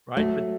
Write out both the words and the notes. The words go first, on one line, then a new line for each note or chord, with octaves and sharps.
Right? But
F#3 A3